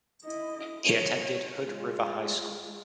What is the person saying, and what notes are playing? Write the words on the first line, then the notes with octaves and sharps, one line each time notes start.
He attended Hood River High School.
E4 D#5
C#5
G#3 F4